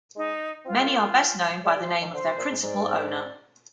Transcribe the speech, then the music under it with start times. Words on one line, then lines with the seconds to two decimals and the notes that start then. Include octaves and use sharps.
Many are best known by the name of their principal owner.
0.16 G#3 D#4
0.65 C4 F4
0.72 A#3
0.80 G#3
0.86 A#3
1.64 G#3 D5
1.76 G3
1.80 C5
1.88 F3
2.01 D#3
2.13 D3 C5
2.26 C3
2.37 A#2
2.51 G#2
2.63 G#2 D5
2.74 G2
2.85 G#2